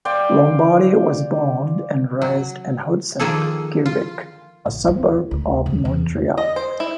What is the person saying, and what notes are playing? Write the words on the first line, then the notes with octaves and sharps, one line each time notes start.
Lombardi was born and raised in Hudson, Quebec, a suburb of Montreal.
D5 F5 G5 C6
F#3
D#3 F3 A#3 G#4 A4
F4
A#1
D#2
D2
E1
E2
D#5
C5
E4